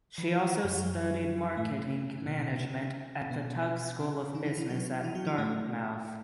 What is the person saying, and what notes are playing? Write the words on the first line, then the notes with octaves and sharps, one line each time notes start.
She also studied marketing management at the Tuck School of Business at Dartmouth.
E3
E3
F#2 F#3
F#2 F#3
A2 A3
C#4
B2 B3
B2 B3
C#3 C#4
B2 B3
C#3 C#4
D#3 D#4
E3 E4
E3 E4
F#3 F#4
E3 E4
F#3 F#4
E3 E4
A2 A3